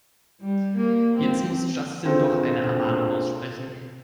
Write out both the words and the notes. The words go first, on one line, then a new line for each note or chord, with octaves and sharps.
Jetzt muss Justin doch eine Ermahnung aussprechen.
G3
A#3
C4
C4 D4 F4 G#4 A4 C5